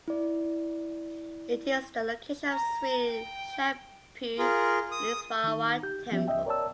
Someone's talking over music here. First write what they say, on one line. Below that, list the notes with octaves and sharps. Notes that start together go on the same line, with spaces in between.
It is the location of Sri Shambhu Lingeswara Temple.
E4 D5
A#5
G5
F4 G#4 A#4
D#6
D#3 D#4
G4 G6
F3 B3 C#4 G4 E5
C#2 D#5 E5 G5
A#4 C#5 D5 A5 E6